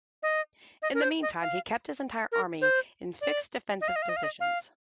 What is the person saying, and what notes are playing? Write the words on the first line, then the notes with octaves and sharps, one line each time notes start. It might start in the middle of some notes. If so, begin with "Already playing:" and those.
In the meantime, he kept his entire army in fixed defensive positions.
D#5
D#5
A#4
C5
D#5
F5
A#4
C5
D5
D#5
F5
D#5
F5
D#5
F5
D#5
F5